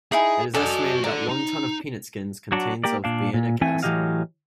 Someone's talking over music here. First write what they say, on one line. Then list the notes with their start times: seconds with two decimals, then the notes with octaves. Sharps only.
It is estimated that one ton of peanut skins contains of behenic acid.
0.12 D#4 E4 G#4 G#5
0.54 F#4 A4 D5 D#5 G#5
1.04 A4 D5 A#5
1.29 D#4
2.52 F#3 D4 F#4
2.84 A#3 G4 A#4 D5
3.04 A#2 D4 F5
3.34 A#2
3.61 E3 A3 C4 E5 G#5
3.83 A2 E3 F#3 G4 D#5 F5